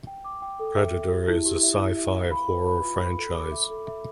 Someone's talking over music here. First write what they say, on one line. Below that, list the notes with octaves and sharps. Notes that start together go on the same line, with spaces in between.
Predator is a sci-fi horror franchise.
G5
D6
G5
A4
E5
E5
G4
E4
G4
E5
E4
E5
F5
B5
B4
B5
F4
B5
A4
D6
E5
A4
E5